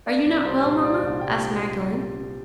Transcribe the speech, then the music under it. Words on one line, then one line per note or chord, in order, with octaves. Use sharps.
"Are you not well, mamma?" asked Magdalen.
D4 D5
C2
D5
G3 C5
A#2
D4 D5
C2
G3 G5